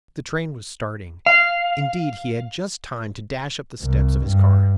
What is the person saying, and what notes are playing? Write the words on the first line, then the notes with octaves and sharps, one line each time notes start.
The train was starting; indeed he had just time to dash up the steps of his car.
F5
C2
G2